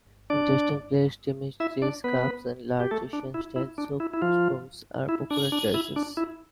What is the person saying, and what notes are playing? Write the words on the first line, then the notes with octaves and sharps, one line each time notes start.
Interesting plates, demitasse cups, and large Asian-style soup spoons are popular choices.
D4 D5
E4 E5
D4 D5
B3 B4
G4
A3 A4
D4
E4
E4
D4
E4
E4
F3 F4
E4
D4
D4
E4
D4
E4